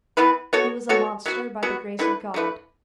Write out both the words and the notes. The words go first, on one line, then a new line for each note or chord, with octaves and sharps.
He was a monster by the grace of God.
E3 B3 E4 B4
B3 F#4 A4 C#5
B3 F#4 A4 C#5
F#3 B3 F#4
F#3 B3 F#4
D3 A3 E4 B4
D3 A3 E4 B4